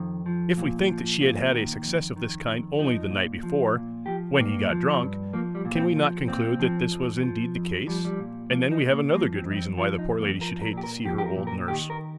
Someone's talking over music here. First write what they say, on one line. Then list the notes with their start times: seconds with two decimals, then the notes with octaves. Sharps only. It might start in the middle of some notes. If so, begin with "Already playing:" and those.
If we think that she had had a success of this kind only the night before, when he got drunk, can we not conclude that this was indeed the case, and then we have another good reason why the poor lady should hate to see her old nurse?
Already playing: F2 D#3
0.26 F3
0.57 A#2
0.88 F3
1.20 A#2
1.52 D#3
1.84 F2
2.16 D#3
2.48 F2
2.79 F3 D#4
3.11 A#2
3.43 F3
3.75 A#2
4.06 F3 G4
4.38 G2 A#3
4.70 F3
5.02 G2
5.33 F3 A#3
5.55 G3
5.65 A#2
5.75 C4
5.96 F3
6.28 A#2 C4
6.60 F3
6.91 F2
7.23 F3
7.55 F2
7.87 F3 G3
8.05 G3
8.19 A#2
8.50 F3 A#3
8.71 D#4
8.82 A#2
8.93 A#3
9.14 F3 A#3
9.35 C4
9.45 F2
9.51 D#4
9.56 C4
9.78 F3 F4
9.98 D#4
10.09 F2
10.20 A#3
10.41 F3 A#4
10.62 A#4
10.73 A#2 G4
10.83 A#4
11.05 F3 G4
11.18 G4
11.26 A#4
11.36 A#2
11.47 A#4
11.68 D#3 G4
11.90 A#4